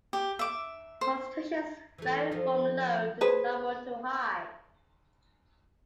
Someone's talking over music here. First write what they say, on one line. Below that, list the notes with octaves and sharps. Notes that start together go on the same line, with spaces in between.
Concentrations vary from low to normal to high.
G4
E5 D6
C5
E3 A3
F3 D4 A4
G#4 B4 C5